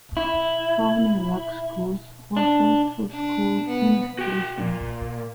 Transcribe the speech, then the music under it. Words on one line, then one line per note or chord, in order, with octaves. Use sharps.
Pawnee Rock schools were closed through school unification.
E4
D4
D4
B3
F#4 G5
A#2